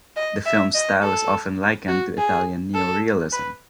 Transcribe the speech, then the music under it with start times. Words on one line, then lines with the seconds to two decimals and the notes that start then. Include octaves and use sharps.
The film's style is often likened to Italian neorealism.
0.16 D#5
0.46 E5
0.75 D#5
1.03 A4
1.88 F#4
2.18 G#4
2.75 A4
3.32 B4